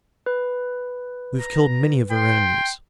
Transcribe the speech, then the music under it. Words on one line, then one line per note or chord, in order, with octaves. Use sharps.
We have killed many of our enemies.
B4
A#5
G5 C6